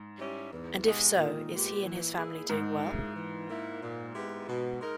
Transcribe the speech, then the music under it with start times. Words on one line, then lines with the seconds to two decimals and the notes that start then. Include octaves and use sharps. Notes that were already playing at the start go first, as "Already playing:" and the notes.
And if so is he and his family doing well?
Already playing: G#2
0.18 G3 C#4 E4 G4
0.51 E2
0.85 B2 G#3 D#4 G4
1.17 A#2 D#3
1.50 G#3 B3 G4
1.83 E3
2.16 A#3 E4 G#4
2.49 G#2 D#3
2.82 A#3 E4 G#4
3.15 E3
3.48 A#3 E4
3.81 A#2
4.14 G#3 B3 E4 G4
4.47 B2
4.80 G#3 D#4 A#4